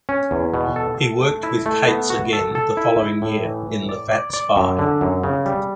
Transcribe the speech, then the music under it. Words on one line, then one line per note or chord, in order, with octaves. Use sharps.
He worked with Cates again the following year in "The Fat Spy".
C#4
E2
B2
A4
A4
A3
E4
A3
B3
F#4
A4
A4
E4
E4
A2
E3
A2
D5
D5
D5
F#2
D3
F#2
C#3
G3